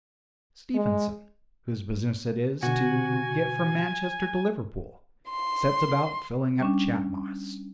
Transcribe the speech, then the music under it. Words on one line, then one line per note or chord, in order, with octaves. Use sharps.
Stephenson, whose business it is to get from Manchester to Liverpool, sets about filling up Chat Moss.
G#3
B2 D3 F#4 G#5
C6
G3 C#4 D4